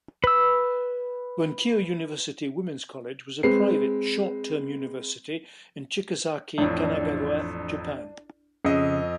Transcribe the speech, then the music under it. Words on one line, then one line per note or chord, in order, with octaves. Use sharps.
Bunkyo University Women's College was a private short-term University in Chigasaki, Kanagawa, Japan.
B4 E6
G#3 C4 B4 C7
A1 F2 D4
F2 C#3 D#5